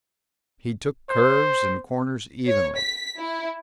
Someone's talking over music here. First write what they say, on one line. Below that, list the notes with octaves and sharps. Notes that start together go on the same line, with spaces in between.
He took curves and corners evenly.
C5
C#5
B6
E4